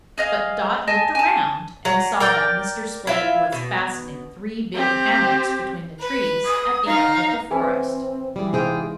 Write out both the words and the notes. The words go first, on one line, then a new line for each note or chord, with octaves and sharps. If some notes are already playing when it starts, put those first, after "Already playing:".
But Dot looked around and saw that Mr. Split was fastening three big hammocks between the trees at the edge of the forest.
G#4 D#5 F5
D#5 G#5 A5
G#5 A5
F#3
A#4 D5 G5
E4 F4 E5
B2
C4 G4
B4
D#6
D#4 F5
E3 C4 C#4 E4
E3 G3 G#4
G#2 C3 G#4 C5 F5 G5